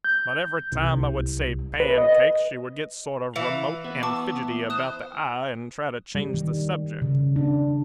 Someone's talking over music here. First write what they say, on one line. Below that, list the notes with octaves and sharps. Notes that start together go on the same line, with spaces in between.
But every time I would say 'pancakes' she would get sort of remote and fidgety about the eye, and try to change the subject.
G6
C2
B4
D#5
E3 F5
B3 B4
A5 C#6 D6
C5 D#6 F#6 E7
G3
D#3
C#3
D4